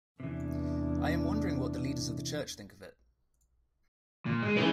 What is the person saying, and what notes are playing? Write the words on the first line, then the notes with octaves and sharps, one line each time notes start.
I am wondering what the leaders of the Church think of it.
E2 C3 E3 D4
A#2
G#3
G#3 C#4 E4 B4